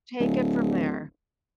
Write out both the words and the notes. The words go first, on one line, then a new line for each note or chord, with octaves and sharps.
take it from there.
D1